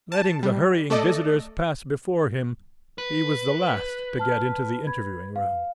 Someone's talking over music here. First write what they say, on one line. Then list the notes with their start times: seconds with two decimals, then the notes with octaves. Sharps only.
Letting the hurrying visitors pass before him, he was the last to get into the interviewing-room.
0.12 A5
0.43 G3
0.90 A3 A4 D5 D#5
2.98 B4
4.19 A5 F6
4.87 B5 G#6
5.36 F5